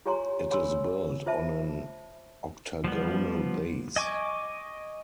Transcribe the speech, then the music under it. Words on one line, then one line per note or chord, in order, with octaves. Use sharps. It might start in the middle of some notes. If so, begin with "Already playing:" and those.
It is built on an octagonal base.
F4 G4 C#5 G#5 A#5 C6
C#5 G#5 B5 C6 E6
F4 C5 E5 A5 B5
F3 G3 B3
D#5 G#5 C#6 D6